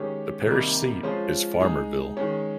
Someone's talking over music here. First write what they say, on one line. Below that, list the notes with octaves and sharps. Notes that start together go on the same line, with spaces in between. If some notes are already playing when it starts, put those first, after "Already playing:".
The parish seat is Farmerville.
Already playing: D#3 G#3 C#4 G4
C3 D#3 G3 A#3 D#4
F3 G#3 C#4 F4 C5
G#3 D#4 G#4
D#3 G#3 C#4